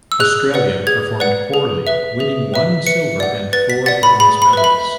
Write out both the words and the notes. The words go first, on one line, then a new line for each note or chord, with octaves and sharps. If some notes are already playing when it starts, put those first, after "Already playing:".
Australia performed poorly, winning one silver and four bronze medals.
E6
G#4 F#6
B4 D5 F#5
G#4 G#6
B4 D5 F#5
G#4
B4 E5
G#4
B4 E5
B4 C#7
D5 F#5
B4 A6
B6
D5 F#5 A6
B5
G#4 B5
B5
B4 E5
B5